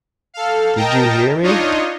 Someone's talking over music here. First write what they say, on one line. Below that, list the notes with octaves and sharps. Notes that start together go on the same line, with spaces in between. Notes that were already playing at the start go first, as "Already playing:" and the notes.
Did you hear me?
A4 F5
A#4 D#5 G5 A5 A#5
D4 D#4 F4 C#5 D#5